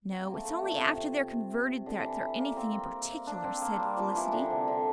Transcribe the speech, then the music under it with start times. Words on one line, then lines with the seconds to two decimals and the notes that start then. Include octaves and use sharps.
"No, it's only after they're converted that they're anything in particular," said Felicity.
0.10 C4
0.21 A#3
0.34 A3
0.45 A3
0.63 A#2
0.80 C3
1.86 D3
2.03 E3
2.38 A#3
2.56 C4
3.27 D4
3.44 C4
3.62 A#3
3.79 G3
3.97 F3
4.15 E3
4.33 D3
4.50 C3
4.68 D3